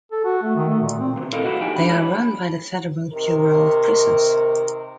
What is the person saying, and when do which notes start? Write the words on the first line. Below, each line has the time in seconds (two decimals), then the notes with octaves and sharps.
They are run by the Federal Bureau of Prisons.
0.12 A4
0.24 F#4
0.42 A3
0.56 D#3
0.69 A3
0.82 A#2
0.99 C4
1.17 C3 E3
1.32 E4 A4 A#4 C5 D#5 F5
1.44 F3 G#3 A3 C4 E4 F#4
1.60 C2 F3 D#4 G4 G5 G#5
1.76 D3 D4 B5
1.89 E2 F3 G#3 C#5 B5
3.13 C3 D#3 A#4